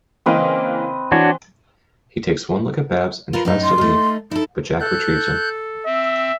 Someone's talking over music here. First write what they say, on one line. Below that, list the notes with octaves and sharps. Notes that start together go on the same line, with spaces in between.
He takes one look at Babbs and tries to leave, but Jack retrieves him.
C#3 E3 A#3 C4 B4 D#5
E3 D4 F#4 C#5
F4 A#4 B4
F#2 A2 D#4
C6
A3 D#4
D#4 E4 A4
A4 F#6 G6
C4 E5